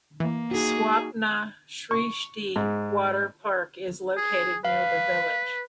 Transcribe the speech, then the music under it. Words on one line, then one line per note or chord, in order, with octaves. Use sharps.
Swapna Shrishti Water Park is located near the village.
E3 A#3
D#4 F#4 G#4
C#6
G#2
G#4
B4 F5